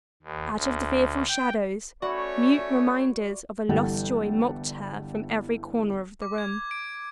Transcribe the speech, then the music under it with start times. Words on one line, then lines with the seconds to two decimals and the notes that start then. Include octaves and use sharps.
Out of the fearful shadows, mute reminders of a lost joy mocked her from every corner of the room.
0.23 D#2
0.55 D2
1.28 G5
2.02 A3 C#4 F#4 C#5 D5 E5 B5
3.69 G1 E3 G3 A4 F#5 G5
6.22 D6
6.38 G#6
6.71 D7